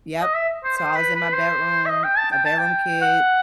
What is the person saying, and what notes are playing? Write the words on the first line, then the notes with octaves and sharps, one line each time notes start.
Yep. So I was in my bedroom, a bedroom kid.
D#5
E5
C5
C5
B4
B4
C5
E5
D#5
G5
A5
G5
A5
G5
F#5